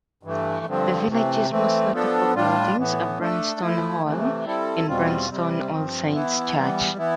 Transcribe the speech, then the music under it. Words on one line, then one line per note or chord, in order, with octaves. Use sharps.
The village's most notable buildings are Branston Hall and Branston All Saints' Church.
G2 E3 A3
G2 D3 F3 C4
C3 E3 A3 C4
E3 A3 C4
F3 B3 D4 A4
A2 G3 D4 F4
A2 E3 B3
A3 D4 A4
F3 A3 E4
C3 E3 A3
G3 C4 E4 A4
E2 B2 G3 C4 F4
C3 G3 C4
G2 F3 C4
E3 B3 E4
E3 G3 B3
E3 B3 E4